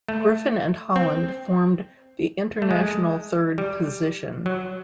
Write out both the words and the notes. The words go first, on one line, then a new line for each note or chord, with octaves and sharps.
Griffin and Holland formed the International Third Position.
A3
C4
A3
G#3
G3
F#3